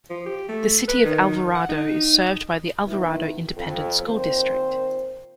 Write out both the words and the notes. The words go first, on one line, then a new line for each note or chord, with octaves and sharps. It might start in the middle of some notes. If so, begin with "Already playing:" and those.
The City of Alvarado is served by the Alvarado Independent School District.
F3
G4
A3
B4
D#3
F#5
D#4
F#2 B2 D#3 E4
F2
A#2 D#3 C4 C5